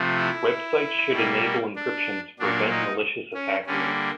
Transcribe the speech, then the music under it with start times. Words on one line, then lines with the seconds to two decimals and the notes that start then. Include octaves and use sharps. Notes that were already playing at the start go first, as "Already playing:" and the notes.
Websites should enable encryption to prevent malicious attackers.
Already playing: C3 F3 A3
0.17 E4
1.12 B2 G3 A#3
1.76 D4
2.39 A#2 F#3 A#3 D4
2.70 D#4
3.34 C#4
3.66 D3 G3 A#3 C#4